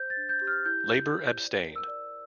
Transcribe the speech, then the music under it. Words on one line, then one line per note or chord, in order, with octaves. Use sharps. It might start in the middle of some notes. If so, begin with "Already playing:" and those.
Labour abstained.
Already playing: C5 G6
A6
D4
G6
G4
F6
E4 G6
E4
C5
D5
A#4
E6
D5